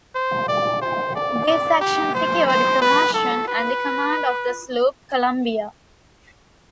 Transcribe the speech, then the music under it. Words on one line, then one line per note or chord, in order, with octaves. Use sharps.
This action secured promotion and the command of the sloop "Columbia".
C5
D5
C5
D5
D5
G4
C5
C5
B4
A4
B4